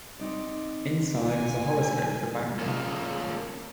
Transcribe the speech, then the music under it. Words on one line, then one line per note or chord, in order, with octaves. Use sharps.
Inside was a horoscope for Bangkok.
C4 D#4 D5
G#5
A3
A#3 C#4 F4 G#4 A4